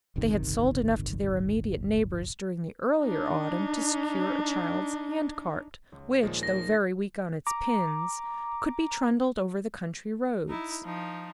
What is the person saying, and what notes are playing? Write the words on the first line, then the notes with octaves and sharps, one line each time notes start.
They had sold enough to their immediate neighbors during the earlier autumn to secure a child's handcart, which, though very weak on its pins, could be trundled over the country roads.
D1 G1 C3 D#3
D4 D#4
C#2
D#1 D#2 F3 G#3 A#3 C#7
A#6
A#5 D6
D#4 E4
F3 D#4